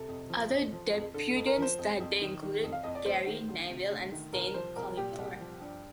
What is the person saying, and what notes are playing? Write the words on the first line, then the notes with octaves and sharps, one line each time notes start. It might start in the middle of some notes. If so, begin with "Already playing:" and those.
Other debutants that day included Gary Neville and Stan Collymore.
Already playing: C3 A4
F2
F3
F2
F3
F2
D3 A4
A4
F2
A#4
F3 C5
F2
F2
D#3
D#3
F2
F5
F2 D#5
D5
D2 C5
D#3
D2
C3
D2
D#3
C2 A#4
A#4
F3 C5
C2 A#4
A#2 G4
C2
F3
G2